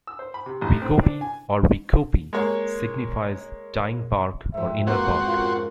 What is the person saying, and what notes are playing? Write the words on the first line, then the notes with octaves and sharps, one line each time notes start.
Wigobi or wicopy signifies "tying bark" or "inner bark".
E6
C5
B5
C3
A1
C4
D4
G#5
G#3 A#3 C#5
F2 G#2 E5
A#3 C4 F#4 B4
C#4 F4 A#4